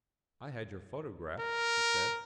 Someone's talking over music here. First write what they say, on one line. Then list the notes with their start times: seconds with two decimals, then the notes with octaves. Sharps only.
"I had your photograph," she said.
1.39 A#4